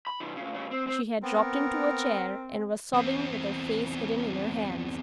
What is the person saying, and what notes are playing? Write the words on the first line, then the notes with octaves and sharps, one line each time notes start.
She had dropped into a chair and was sobbing with her face hidden in her hands.
B5
B2 D#3
D2 C#3
C#3 G3
C4
C4
B3 C4 A#4
E2 C4